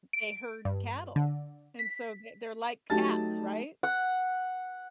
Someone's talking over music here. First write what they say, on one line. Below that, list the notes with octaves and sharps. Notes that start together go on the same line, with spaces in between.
they herd cattle, and so they they're like cats, right?
D7
G2
D3
B6
F#3 A3 D#4 G4 A5 A6
F#5